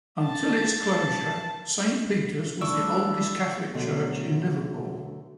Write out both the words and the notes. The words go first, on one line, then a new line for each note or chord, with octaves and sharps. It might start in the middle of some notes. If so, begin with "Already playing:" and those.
Until its closure, Saint Peter's was the oldest Catholic Church in Liverpool.
A5
G3 A3 D4 E4 D5 C#6 E6
B2 D3 F#3 A3